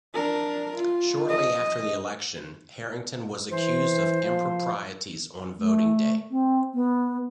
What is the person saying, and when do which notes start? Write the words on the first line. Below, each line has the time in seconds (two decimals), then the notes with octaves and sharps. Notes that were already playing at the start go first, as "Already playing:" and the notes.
Shortly after the election, Harrington was accused of improprieties on voting day.
0.14 D4 A#4
0.76 F4
1.29 D#5
3.51 E3 C5
4.22 F3
5.59 A3
6.31 C4
6.74 B3